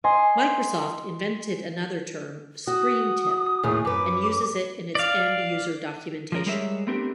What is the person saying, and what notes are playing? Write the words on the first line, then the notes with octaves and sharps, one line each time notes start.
Microsoft invented another term, "ScreenTip", and uses it in its end-user documentation.
D#5 G#5 C6
F#4 D#6
D#2 A2 G#4
F#2 B4 D6
D5 F5
F3 G#3 A#4
G3 G#3 G#4 A#4 C#5 E5
A3 B3 C4 D4 G4 A#4